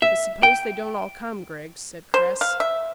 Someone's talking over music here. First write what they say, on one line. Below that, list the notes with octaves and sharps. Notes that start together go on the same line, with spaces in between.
"But suppose they don't all come, Griggs?" said Chris.
E5
G5
C5
F5
E5